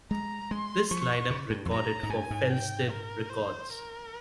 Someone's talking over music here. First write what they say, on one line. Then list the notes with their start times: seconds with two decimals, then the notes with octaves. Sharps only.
This lineup recorded for Felsted Records.
0.11 G#3 A#5
0.51 G#3 C6
0.91 F3 C#6
1.31 C#3
1.50 G2
1.66 F2
1.71 G2 A#5
2.03 G#2
2.10 G2 G#5
2.31 G#2
2.50 G5
2.90 A#4
3.30 C5
3.70 A#4